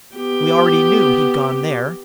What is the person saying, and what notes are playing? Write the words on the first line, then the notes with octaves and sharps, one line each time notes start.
"We already knew he'd gone there."
B3 G4